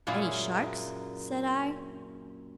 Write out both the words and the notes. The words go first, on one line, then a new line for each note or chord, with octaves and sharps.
"Any sharks?" said I.
F#2 A#2 A#3 C#4 E4 G#4